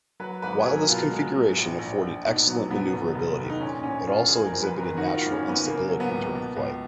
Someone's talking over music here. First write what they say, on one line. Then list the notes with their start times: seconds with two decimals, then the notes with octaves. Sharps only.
While this configuration afforded excellent maneuverability, it also exhibited natural instability during flight.
0.20 F#3 B4
0.42 G#1 B4
0.59 G#4
0.65 F#3 A#4
0.89 B2 F4
1.11 G#3
1.34 G#3
1.57 A#1
1.79 A#1
2.01 A#1
2.25 B2 D#4
2.47 F#3 B3
2.70 B2 B3
2.93 F1
3.15 F1
3.38 D#2
3.50 D#4
3.60 A#2 C#4
3.83 A#1 C#4
4.07 A#1 F4
4.28 F#1 G#4
4.46 A#4
4.52 F3
4.63 B4
4.75 F#1 A#4
4.97 D#3 F#4
5.14 F4
5.21 G#1
5.31 C#4
5.42 G#1
5.48 B3
5.65 C#3 A#3
5.89 F#3
6.00 B3
6.11 C#2
6.33 B2
6.56 C#2